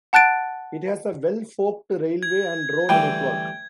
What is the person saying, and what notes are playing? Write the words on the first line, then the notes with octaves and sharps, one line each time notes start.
It has a well-forked railway and road network.
F#5 A5 F#6 A6 D7
G#6
D2 E3 G3 G5